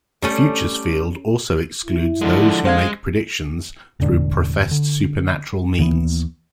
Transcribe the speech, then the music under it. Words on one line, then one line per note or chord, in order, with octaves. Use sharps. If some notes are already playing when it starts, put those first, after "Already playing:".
The futures field also excludes those who make future predictions through professed supernatural means.
G3 A3 C#4 A4
E4
D3 F3 G#3
G#3 C5 F5 G#6
E1 A2 D3 D4
D3
D#2 E3 F3 B3